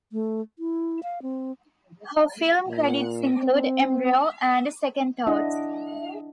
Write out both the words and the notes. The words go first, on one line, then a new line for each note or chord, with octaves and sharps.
Her film credits include "Embryo" and "Second Thoughts".
A3
E4
F5
C4
A#2
C4
D4 E4 D#5 F#5